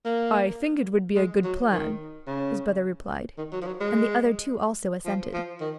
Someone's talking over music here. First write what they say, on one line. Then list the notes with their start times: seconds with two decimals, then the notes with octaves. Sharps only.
"I think it would be a good plan," his brother replied; and the other two also assented.
0.05 A#3
1.16 G#3
1.44 F#3
1.71 D#3
2.27 C#3
3.38 D#3
3.52 F#3
3.62 F3
3.67 F#3
3.80 G#3
5.05 F3
5.34 F3
5.61 D#3